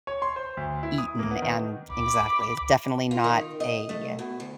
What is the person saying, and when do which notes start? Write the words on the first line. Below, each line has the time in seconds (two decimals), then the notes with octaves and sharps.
eaten and exactly, it's definitely not a, uh,
0.07 C#5
0.22 C6
0.36 C5
0.57 D2
0.83 E4
0.98 D#6
1.19 A#3
1.31 B3
1.42 D#3
1.93 B5 D6
3.11 F4
3.24 D#3
3.60 D#5
3.89 A3
4.19 B2
4.40 D2